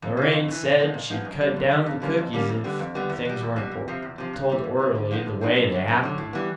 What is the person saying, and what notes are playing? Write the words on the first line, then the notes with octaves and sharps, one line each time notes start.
Lorraine said she'd cut down the cookies if things weren't told orderly the way they happened.
F2
C#3 E3
F2
C#3
E3
A#2
F3 G#3 B3 D#4
A#2
F3 G#3 B3 D#4
F#2
D3 G3
F#2
D3 G3
F2
D3 G3 A#3 C#4
F2
D3 G3 A#3 C#4
F2
D3 G3 B3
F2
D3 G3 B3
E2
B2 G3
E2
B2 G3
E2
C3 F3
E2
C3 F3
G2
E3 G3
G2
E3 G3
D3
F3 G#3 B3 D#4
D3
F3 G#3 B3 D#4
F#2
D3 F#3
F#2
D3 F#3
A2
E3 G3 B3